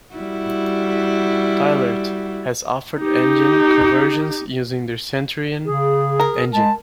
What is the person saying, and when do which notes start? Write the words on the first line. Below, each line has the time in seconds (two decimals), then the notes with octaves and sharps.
Thielert has offered engine conversions using their Centurion Engine.
0.15 G3 E4 F#4
3.00 D#4 G4
5.65 C#3 G#4
6.20 A#4
6.53 G#3 A5